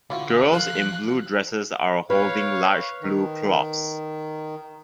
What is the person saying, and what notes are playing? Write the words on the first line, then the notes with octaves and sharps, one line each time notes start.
Girls in blue dresses are holding large blue cloths.
D3 E3 F4 F#4
F3 F#3 A4 F5 F#6
B4 C#5 F5
D#3